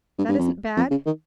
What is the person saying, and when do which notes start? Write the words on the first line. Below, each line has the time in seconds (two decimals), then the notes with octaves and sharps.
That isn't bad.
0.18 G2
0.29 G2
0.38 F2
0.77 F2
0.90 C#3
1.06 D#3